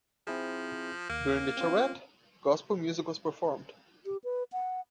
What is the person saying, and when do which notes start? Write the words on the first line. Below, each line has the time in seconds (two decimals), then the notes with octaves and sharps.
During the charrette, gospel music was performed.
0.27 F3 C4 E4 G#4
1.09 D#2 A#3
1.57 C4 C#4 F4
4.06 G4
4.24 B4
4.52 F#5